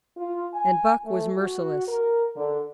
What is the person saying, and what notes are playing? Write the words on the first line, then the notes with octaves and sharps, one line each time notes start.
And Buck was merciless.
F4
G#5
A3
F#4
A#4
D3